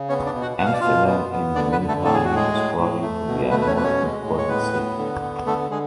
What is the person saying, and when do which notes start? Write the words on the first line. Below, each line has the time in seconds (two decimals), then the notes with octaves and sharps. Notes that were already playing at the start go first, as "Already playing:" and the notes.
Amsterdam in the mean time was growing to be a more important city.
Already playing: C#3
0.09 B3 C#4 C#5
0.26 D4 D5
0.34 B2
0.41 F#4 F#5
0.58 B2 F#5
0.66 F5
0.73 D5
0.80 B2 F4 F5
1.07 B3
1.32 B3
1.55 D3 D4 D5
1.72 B3 B4
1.80 D3
1.88 A3 A4
2.05 A2 A4
2.14 G#4
2.25 A2 F#4
2.35 G#3 G#4
2.54 A2
2.77 A2
3.02 A3
3.27 B2
3.51 A3 B3 B4
3.62 B4
3.67 C#4 C#5
3.76 B2 B4
3.84 C#4 C#5
4.00 G#3
4.25 A2
4.38 C#5
4.48 A2 B3 B4
4.73 B3
4.98 D3
5.22 B3
5.46 D3 A3 A4
5.70 D3 G#3 G#4